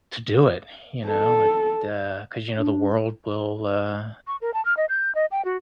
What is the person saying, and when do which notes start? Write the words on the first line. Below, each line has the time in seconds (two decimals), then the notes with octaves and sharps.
to do it. You know, it, uh 'cause, you know, the world will, uh
1.07 A4
2.58 D4
4.27 C#6
4.41 A#4
4.54 A5
4.65 F6
4.77 D#5
4.89 G6
5.15 D#5
5.31 G5
5.45 F#4